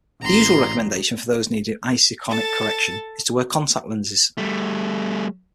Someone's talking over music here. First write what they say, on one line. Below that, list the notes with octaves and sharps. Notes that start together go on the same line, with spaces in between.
The usual recommendation for those needing iseikonic correction is to wear contact lenses.
A1 A#5 C6
A4 A5
G3 A3